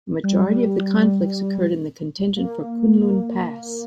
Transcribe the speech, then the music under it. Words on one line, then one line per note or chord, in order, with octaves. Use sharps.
A majority of the conflicts occurred in the contention for Kunlun Pass.
G3
A#3